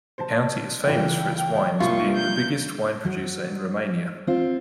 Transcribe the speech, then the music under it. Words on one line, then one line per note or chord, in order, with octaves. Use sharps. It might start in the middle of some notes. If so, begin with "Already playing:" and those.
The county is famous for its wines, being the biggest wine producer in Romania.
C5 A5
C#2 E3 G5
C2 A#3 F4 C#6
G6
F#3
C4 F4